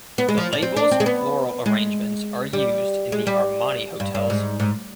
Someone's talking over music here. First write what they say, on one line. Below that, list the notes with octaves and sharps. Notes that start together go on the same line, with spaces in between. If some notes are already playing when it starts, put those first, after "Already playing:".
The labels floral arrangements are used in the "Armani" hotels.
B3
G#3
F3
D4
C4
D4
C4
G#3
B3
G#3
G3
G#3
G3
G2
G2
G#2
G#2